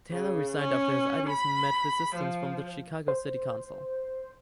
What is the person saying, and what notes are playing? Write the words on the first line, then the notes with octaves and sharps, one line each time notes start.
Taylor resigned after his ideas met resistance from the Chicago City Council.
C#3
C#4
B5
F3
C5